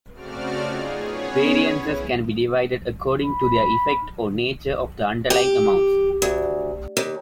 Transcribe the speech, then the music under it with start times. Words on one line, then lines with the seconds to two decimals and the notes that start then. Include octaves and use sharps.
Variances can be divided according to their effect or nature of the underlying amounts.
0.13 C#3 A3 C4 F#4 D5 F6
0.62 D#4 F4 G#4
0.98 B3 C#4 G#4 C#5
1.59 E4
3.23 A1 B5
5.30 G4
6.22 D2
6.97 D#2